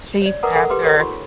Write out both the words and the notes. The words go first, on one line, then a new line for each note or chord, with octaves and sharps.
chased after,
C#5 D5
A#4 B4 F#5 A#5 D6 D#6
A4 A#4 F#5
G4 B4 C6 D6
A4 A#4 C#5
D#4 F4 C6 C#6